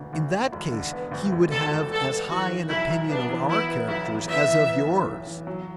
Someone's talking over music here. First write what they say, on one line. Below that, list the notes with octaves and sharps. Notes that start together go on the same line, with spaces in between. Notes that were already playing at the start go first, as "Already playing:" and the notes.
In that case he would have as high an opinion of our characters as of yours.
Already playing: E1 D2 D3 B3
D2
D2
E1
D3
B3
D2
E1
D3 A4
E1
B3 A4
B3
E3 F#4
B1
B1 E4
B1
B3 D4
E3
B3 E4
B3
B1 E4
E3
B3 E5
E3
B3
A2
B1
E3
F#3